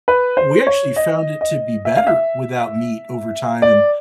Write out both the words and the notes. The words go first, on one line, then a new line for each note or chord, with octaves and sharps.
We actually found it to be better without meat over time, and
B4
C5
C#5
D#5
D#5
E5
F5
E5
D5